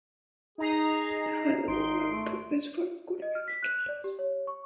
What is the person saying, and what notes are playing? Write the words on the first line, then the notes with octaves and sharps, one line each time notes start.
The high level output is for recording applications.
D#4 G#4 A#5 C7
G#1 D#4 C6 D7
A3
D#5
F6
B6
F#6
D5
G4
C#5
C#6